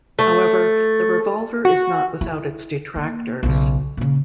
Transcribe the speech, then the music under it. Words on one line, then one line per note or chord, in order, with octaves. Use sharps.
However, the revolver is not without its detractors.
A3
F#4
E4
A#3
B1 C#3
A#2 C#3